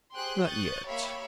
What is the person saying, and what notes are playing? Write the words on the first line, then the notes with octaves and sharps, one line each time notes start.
"Not yet."
G4 G#4 C5 G5 C6 F#6
C#6 D#6 F#6 G6 A6
A#3 G4 C#5 E5 F5 B5